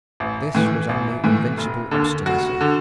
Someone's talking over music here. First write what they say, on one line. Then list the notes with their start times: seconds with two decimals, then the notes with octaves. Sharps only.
This was only invincible obstinacy.
0.20 A1
0.55 A2 E3
0.89 A1
1.24 A2 E3
1.58 F1
1.91 D#2 D3
2.26 F1 F#4
2.61 D3